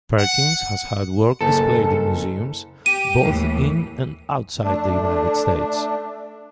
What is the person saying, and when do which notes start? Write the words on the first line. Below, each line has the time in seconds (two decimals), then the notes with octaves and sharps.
Perkins has had work displayed in museums both in and outside the United States.
0.19 F#5
1.41 F#1 A4
2.86 G4 D#7
3.23 D#2 A2 E3
4.63 A3 D4